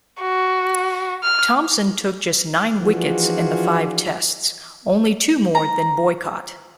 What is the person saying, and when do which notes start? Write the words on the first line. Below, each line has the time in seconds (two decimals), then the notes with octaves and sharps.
Thomson took just nine wickets in the five Tests, only two more than Boycott.
0.22 F#4
1.23 F6
2.81 E3 F3 D4 F4 F#4 G#4
5.55 A#5